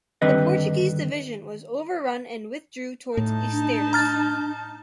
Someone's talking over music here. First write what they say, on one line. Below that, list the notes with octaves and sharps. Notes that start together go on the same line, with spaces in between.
The Portuguese division was overrun and withdrew towards Estaires.
G2 D3 D#3 C4 B4 D#5
A2 D#4 A5
D4
A#5 F6 A6